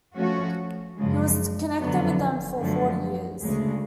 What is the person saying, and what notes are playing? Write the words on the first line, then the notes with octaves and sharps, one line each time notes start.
He was connected with them for forty years.
F3 A3 C#4 F#4
F#2 C#3 F3 G#3
F2 D3 F#3 B3
F#2 D3 F3 A3
D2 C#3 G#3